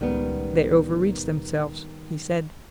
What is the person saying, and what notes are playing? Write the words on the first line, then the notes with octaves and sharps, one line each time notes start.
"They overreached themselves," he said.
C#2 A#2 D#3 G3 B3